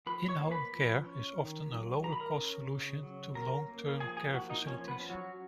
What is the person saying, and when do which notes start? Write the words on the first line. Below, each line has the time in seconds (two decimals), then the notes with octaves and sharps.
In-Home Care is often a lower cost solution to long-term care facilities.
0.07 F3 B4 B5
0.29 C#5 C#6
0.40 A#3
0.51 B4 B5
0.73 F3
1.06 C#4
1.38 D#3
1.72 F#3
2.04 D#3 A#5
2.13 B5
2.20 A#4 A#5
2.37 C#4
2.70 C#3
3.03 F#3
3.35 C#4 A#4 A#5
3.68 A#3
4.00 F3 G#4 G#5
4.17 G#4 G#5
4.33 A#3 F#4 F#5
4.50 D#4 D#5
4.66 F3 C#4 C#5
4.88 B3 B4
4.99 C#4
5.10 F#3 F#4